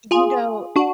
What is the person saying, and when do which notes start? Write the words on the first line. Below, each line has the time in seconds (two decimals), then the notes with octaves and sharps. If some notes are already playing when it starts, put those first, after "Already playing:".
You know,
0.11 F4 G#4
0.76 D4 F#4